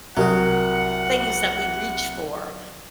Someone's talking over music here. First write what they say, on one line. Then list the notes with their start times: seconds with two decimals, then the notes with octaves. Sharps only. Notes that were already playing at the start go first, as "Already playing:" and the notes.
things that we reach for,
0.17 C2 F#3 F#4 A#4 F#5 D#6